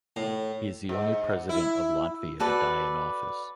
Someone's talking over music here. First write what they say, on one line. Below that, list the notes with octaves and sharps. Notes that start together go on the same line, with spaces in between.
He is the only President of Latvia to die in office.
A2
G#2
E4
F#4 A4 B4 D5